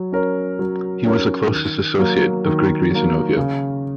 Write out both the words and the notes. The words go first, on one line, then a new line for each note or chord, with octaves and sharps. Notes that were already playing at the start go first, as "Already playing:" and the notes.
He was the closest associate of Grigory Zinoviev.
Already playing: F#3
C#4 A#4 C#5
F#3
C#4 A#4 C#5
D#3
F#3 A#3
D#3
F#3 A#3
C#3